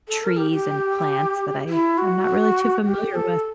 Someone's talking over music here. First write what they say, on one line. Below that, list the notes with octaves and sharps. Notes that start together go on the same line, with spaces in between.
trees, and plants that I am not really too familiar with.
A4
A#4
G4
G4
E4
F#4
G4
A4